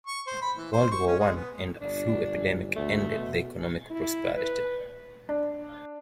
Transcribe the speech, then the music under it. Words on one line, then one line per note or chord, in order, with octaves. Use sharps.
World War One and a flu epidemic ended the economic prosperity.
C#6
C5
B5
E3
C5
C#6
C#4
G#3
B3
G1 D4
D2 A3
B2
E4
B4
D4